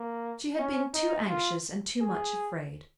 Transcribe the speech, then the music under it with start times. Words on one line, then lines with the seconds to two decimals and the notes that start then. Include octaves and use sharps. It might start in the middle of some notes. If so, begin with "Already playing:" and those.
She had been too anxious and too much afraid.
Already playing: A#3
0.58 C#4
0.94 D#4
1.29 F4
2.01 G#4